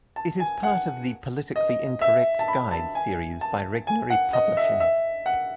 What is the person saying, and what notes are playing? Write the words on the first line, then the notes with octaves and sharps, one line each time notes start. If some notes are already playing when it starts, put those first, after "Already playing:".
It is part of "The Politically Incorrect Guide" series by Regnery Publishing.
A5
G#5
F#5
D#5
E5
A5
B5
A5
G#5
A5
G#5
F#5
D#5
E5
E5
F#5